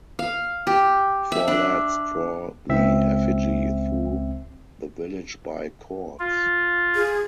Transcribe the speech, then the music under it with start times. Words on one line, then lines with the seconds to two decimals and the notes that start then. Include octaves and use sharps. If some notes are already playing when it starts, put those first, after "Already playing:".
Four lads draw the effigy through the village by cords.
0.19 F5
0.67 G4
1.32 E5
1.48 D4
2.69 C#2 C4 E5
6.19 F4
6.95 G#4